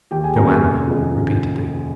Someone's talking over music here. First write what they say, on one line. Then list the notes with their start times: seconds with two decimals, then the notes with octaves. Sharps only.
"Joanna!" repeated Dick.
0.11 D#2 G4 G5
0.24 G#4 G#5
0.36 C#3 G3 A#3 A#4 A#5
0.48 G#4 G#5
0.61 F1
0.87 D#2 C#3 F3 G#3